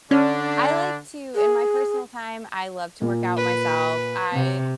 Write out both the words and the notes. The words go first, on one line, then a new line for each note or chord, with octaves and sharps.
I like to in my personal time, I love to work out myself, I,
D3 C#4 D4
G#4
A#2
B4
C3